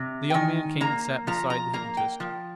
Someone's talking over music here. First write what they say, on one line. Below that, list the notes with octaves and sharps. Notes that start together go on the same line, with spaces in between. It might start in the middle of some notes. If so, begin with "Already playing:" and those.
The young man came and sat beside the hypnotist.
Already playing: C3
G5
D#3 G#5
A#3 A#5
F3 A#5
A#5
A#3 A#5
G5
F3